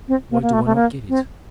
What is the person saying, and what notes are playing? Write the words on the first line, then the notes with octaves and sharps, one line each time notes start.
"Why do I not get it?"
C4
A#3
A#3
A3
A3
A#3
C4